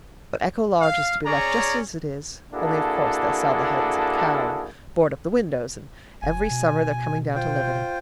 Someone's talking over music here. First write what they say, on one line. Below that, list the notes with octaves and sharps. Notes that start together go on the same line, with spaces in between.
But Echo Lodge is to be left just as it is. . . only of course they'll sell the hens and cow, and board up the windows . . . and every summer they're coming down to live in it.
F5
C#4 G#4 C#5 D5 A#5
A#3 D4 E4 F#4 G#4 A4
F1 G#5
B2
F4 C5 G5